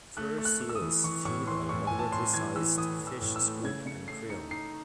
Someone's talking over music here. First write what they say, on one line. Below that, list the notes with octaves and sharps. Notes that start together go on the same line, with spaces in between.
Fur seals feed on moderately sized fish, squid, and krill.
A3 F#6
A3
F#6
A3
E6
D#6
E3
E3 C#6
A2 C#6
E3 C6
A2 C#6
A2 G#5
A5
A2 C6
E3 G#6
E3 E6
E3 D#6
E3
E6
A2
E6
A3
C#3 G#6
C#3 C#7
A3 C7
D#4 C#7
D#4 C7